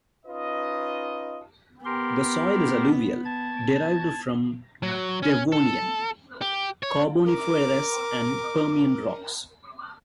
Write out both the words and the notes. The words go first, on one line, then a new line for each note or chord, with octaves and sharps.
The soil is alluvial, derived from Devonian, Carboniferous and Permian rocks.
C#4 D#4 F4 B4 D#5
B3 G4 A#4 C6
A5 G#6
F#3
C#4
A4
G4
C#5
A#4 D6